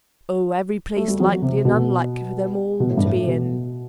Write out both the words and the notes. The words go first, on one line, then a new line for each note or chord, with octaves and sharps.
"Oh, every place likely and unlikely for them all to be in."
A3
G3
F#3
C3
B2
B2
A2
G2
A2
B2